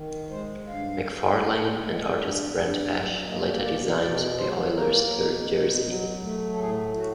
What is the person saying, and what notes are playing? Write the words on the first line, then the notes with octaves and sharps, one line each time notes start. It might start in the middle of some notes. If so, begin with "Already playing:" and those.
McFarlane and artist Brent Ashe later designed the Oilers' third jersey.
Already playing: D#3
G#3 C5
G2 F5
G2
D#3
G#3
G2
G2
F#3 E5
A#3 D#5
B2 D5
B2 D5
F#3 C5
A#3 A#4
B2
B2
F#3
A3
A4
A2 G#4
A2 F#4